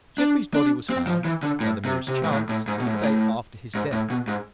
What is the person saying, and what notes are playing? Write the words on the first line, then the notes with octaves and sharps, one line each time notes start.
Jeffrey's body was found, by the merest chance, the day after his death.
D4
D4
C4
F3
E3
D3
A2
C3
C3
G#2
A2
A2
G#2
B2
A2
G#2
A2
G#2
A2
B2
G#2